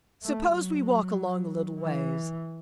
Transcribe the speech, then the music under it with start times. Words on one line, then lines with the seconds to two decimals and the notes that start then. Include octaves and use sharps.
Suppose we walk along a little ways?
0.24 A3
0.54 F#3
1.80 E3